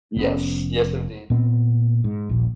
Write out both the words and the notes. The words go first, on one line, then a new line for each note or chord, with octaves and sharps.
Yes, yes, indeed.
F1 B3 C#4
A#2 B3 C4
G#2
D#1 A#1